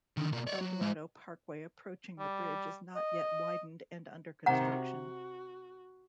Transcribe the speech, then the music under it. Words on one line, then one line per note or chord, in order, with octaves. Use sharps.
Eldorado Parkway approaching the bridge is not yet widened and under construction.
D3 D#3
B2 A#3
C#5 D5
F#3
G#3 C5
G3
D#5
C3 D#3 F#5 A#5
F#4